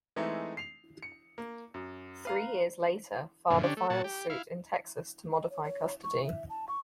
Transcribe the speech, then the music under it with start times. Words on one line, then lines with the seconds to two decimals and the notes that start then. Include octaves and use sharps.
Three years later father files suit in Texas to modify custody.
0.16 E3 G#3 A3 C4 D#4 E4
0.57 C7 F7
1.03 C#7
1.38 A#3
1.74 F#2
2.25 B4 F5 A#5
3.50 F#2 A#2 D3 F3
3.63 D3 C#4 D4 G4
3.77 A3
3.90 A#2 F#4 A5
4.04 G4
4.30 E4 F5
5.33 D#5
5.50 C#5
5.64 C#5
6.03 C#6
6.24 E5
6.50 A5
6.68 C#6